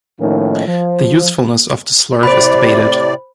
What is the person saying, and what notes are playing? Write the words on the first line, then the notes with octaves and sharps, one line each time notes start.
The usefulness of the slurve is debated.
A2 D#3 F3 A#3 C#4 D#4
F3
A2 C3 C5 D5 B5